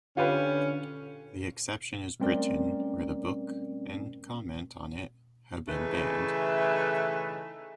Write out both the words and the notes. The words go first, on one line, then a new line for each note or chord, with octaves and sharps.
The exception is Britain, where the book, and comment on it, have been banned.
D3 C#4 F4 G4 B4
G3 A3 C4 C#4 A#4 D5
C#3 E3 A3 D#4 B4 E5